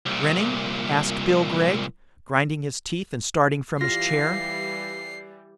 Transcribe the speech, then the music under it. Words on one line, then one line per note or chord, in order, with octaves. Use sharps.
"Grinning?" asked Bill Gregg, grinding his teeth and starting from his chair.
C2 A#2
E3 G3 F4 A#6 C7